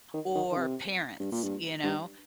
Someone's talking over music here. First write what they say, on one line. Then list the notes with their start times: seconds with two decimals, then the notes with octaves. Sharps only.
or parents, you know,
0.14 D#3
0.35 D#3
0.51 D#3
0.56 C3
1.20 G2
1.32 A#2
1.43 G2
1.83 G2